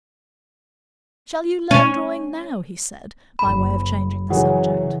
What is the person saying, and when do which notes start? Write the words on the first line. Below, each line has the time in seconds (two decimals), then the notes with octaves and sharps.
"Shall you learn drawing now?" he said, by way of changing the subject.
1.71 C#4
3.39 F#1 B5
4.30 C#3 E3 F#3 F#4 G#4